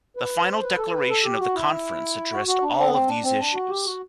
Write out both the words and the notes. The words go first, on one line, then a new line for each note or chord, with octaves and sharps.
The Final Declaration of the conference addressed all of these issues.
B4
C5
B4
A4
B4
A4
G4
F#4
E4
F#4
F#4
D4
C4
B3
C4
D4
C4
D4
F#4
G4
F#4